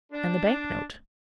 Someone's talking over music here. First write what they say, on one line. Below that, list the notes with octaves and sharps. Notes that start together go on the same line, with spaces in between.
"And the bank-note?"
D4